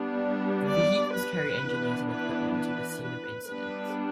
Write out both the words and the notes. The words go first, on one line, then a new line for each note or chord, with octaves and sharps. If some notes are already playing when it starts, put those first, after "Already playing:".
The vehicles carry engineers and equipment to the scene of incidents.
Already playing: G3 B3 D4
D5
B4
E3 B3 D4
B4
B4
B4
G3 B3 D4 B4